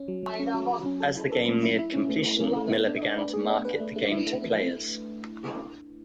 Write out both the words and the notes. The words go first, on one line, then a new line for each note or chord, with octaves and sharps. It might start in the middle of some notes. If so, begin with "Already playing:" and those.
As the game neared completion, Miller began to market the game to players.
Already playing: C#4
F#3
F#3
C#4
F#3
F#3
C#4
A4
E4
A4
A3
E4
E4
C#4
A3
A3
C#4
A3
B3
D4
D4
D4
G#4
D4
B4
A3
A3
E4
A3